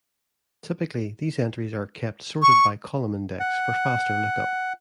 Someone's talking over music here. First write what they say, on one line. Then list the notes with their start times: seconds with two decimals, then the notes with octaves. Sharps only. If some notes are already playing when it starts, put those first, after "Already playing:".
Typically, these entries are kept sorted by column index for faster lookup.
2.42 C#6
3.40 F#5